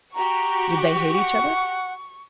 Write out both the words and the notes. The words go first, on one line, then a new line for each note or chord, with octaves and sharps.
Did they hate each other?
F#4 G4 A#5 C#6
F#5